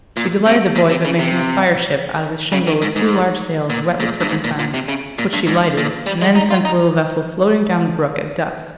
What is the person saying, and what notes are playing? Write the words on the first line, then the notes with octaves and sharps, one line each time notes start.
She delighted the boys by making a fire-ship out of a shingle with two large sails wet with turpentine, which she lighted, and then sent the little vessel floating down the brook at dusk.
A#2
C3
A#2
C3
C#3
C3
C#3
D#3
G#2
G#2
A#2
A#2
G2
G#2
A#2
A#2
C3
C#3
A#2
G2
G#2
A#2
G3
G#3
D#4
F4
D#4